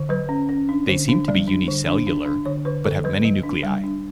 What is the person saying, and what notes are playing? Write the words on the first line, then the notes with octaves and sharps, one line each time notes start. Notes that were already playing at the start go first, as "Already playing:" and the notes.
They seem to be unicellular, but have many nuclei.
Already playing: D3
F#3 B4
C#4
C#4
D4
D3
D4
G3 D5
D4
D3
D4
D4
D4
D3 C#5
D3 B4
D3 A4
F#3 B4
F#3
D4
G3
D4